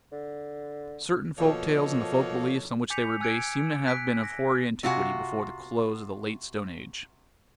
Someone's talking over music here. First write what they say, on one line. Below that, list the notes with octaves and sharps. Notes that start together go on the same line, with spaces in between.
Certain folk tales, and the folk beliefs on which they were based, seem to have been of hoary antiquity before the close of the Late Stone Age.
D3
B2 F3 A#3 A4 C#5 D#5
G#5 D6 G6 B6 C#7 F7
G#5 E6 F#6 G#6 C#7 D7
F#6 B6 D7
A#6
C3 F4 F#4 G#5